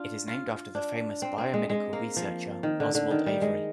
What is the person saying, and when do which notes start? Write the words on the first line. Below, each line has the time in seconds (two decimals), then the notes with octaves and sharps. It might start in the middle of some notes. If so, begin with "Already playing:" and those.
It is named after the famous biomedical researcher Oswald Avery.
Already playing: D4 F4
0.28 F4
0.75 D4
1.22 C4
1.38 C4
1.54 G#3
1.70 G#3
1.93 A#3
2.17 F3
2.63 D#3
2.80 D3
2.95 D3
3.11 D#3
3.26 G3
3.42 G#3